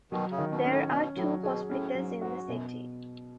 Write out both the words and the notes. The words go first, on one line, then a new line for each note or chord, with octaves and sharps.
There are two hospitals in the city.
B2 D#3 F#3
C#3
D#3
B2
C#4
A2
B2 C#4
A2 F#3
B2 G#4
A2 C#4
G#2 F#3
G#2 F#4
F#2 B2